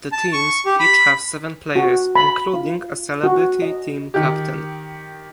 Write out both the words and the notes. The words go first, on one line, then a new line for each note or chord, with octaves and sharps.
The teams each have seven players, including a celebrity team captain.
A5
C#6
G4
B5
F#4
B5
F4
F#4
D#5
D#3 G4